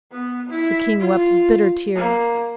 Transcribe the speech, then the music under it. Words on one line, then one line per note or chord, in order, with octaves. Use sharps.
The King wept bitter tears.
B3
E4
F4
A#3